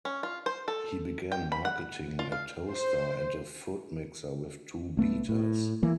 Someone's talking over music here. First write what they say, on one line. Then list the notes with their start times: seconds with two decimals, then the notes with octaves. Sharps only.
He began marketing a toaster and a food mixer with two beaters.
0.05 C#4
0.23 F4
0.46 C5
0.68 A4
1.32 G5
1.52 B5
1.65 F#5
2.19 F4
2.32 F5
2.71 C5
4.97 C2 A3 B3
5.29 A2
5.83 E3 A#3